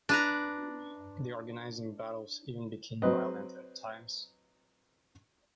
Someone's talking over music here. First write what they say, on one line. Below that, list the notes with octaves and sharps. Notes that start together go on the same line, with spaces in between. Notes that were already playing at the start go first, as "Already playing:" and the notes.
The organizing battles even became violent at times.
D4 B4 A#5
F#3 C4 B4 D#5